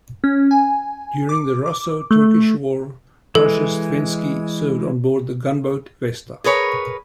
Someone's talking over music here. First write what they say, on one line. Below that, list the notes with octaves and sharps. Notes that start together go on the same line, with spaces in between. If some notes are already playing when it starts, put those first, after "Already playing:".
During the Russo Turkish War Rozhestvensky served on board the gunboat "Vesta".
C#4
G#5
D6
D6
A3
E3 G#3 A4
G#4 A#4 B4 C#5